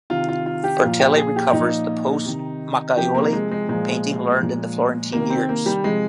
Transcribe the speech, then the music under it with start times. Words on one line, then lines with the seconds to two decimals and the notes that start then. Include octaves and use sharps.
Bertelli recovers the post Macchiaioli painting learned in the Florentine years.
0.10 C3 D#3 F4
0.29 F4
0.46 F4
0.64 G4
0.82 A#2 F3 F4
0.99 G4
1.17 G#4
1.36 G4
1.53 A#2 F3 D#4
2.26 C3 D#3
2.97 C3 F3 G4
3.15 A#3
3.33 G#3
3.51 G#3
3.69 A#2 F3 G#3
4.40 A#2 F3
5.13 C3 D#3 A#3
5.30 C4
5.49 A#3
5.66 G3
5.84 C3 F3 G#3